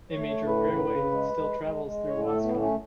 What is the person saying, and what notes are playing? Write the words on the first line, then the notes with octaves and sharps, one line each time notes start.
A major railway still travels through Waskom.
C#5
A3
C#5
A2
B4
C#3
C#3
G#3
G#3
G#3
G#3
A2 C#5
A4
A3
B3
A3
C#4